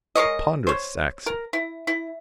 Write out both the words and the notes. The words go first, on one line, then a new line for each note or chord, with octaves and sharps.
A ponderous Saxon.
G#3 A#4 C#5 D#5
C5 C#5
A#4
E4
E4